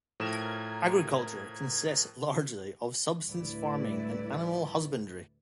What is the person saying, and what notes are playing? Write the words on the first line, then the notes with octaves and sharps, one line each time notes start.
Agriculture consists largely of subsistence farming and animal husbandry.
A2 F3 A#4 G#6 E7
D2 A2 G3 E4 B4 D5